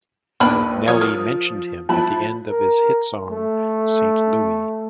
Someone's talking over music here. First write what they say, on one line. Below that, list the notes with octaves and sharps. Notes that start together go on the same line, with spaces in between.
Nelly mentioned him at the end of his hit song "Saint Louie".
A#1 D#2 A#3 D4 B4 B5
F3 C#5 D#6 F6
A#4
F3 E4 A5 B5 F#6
A#4
A3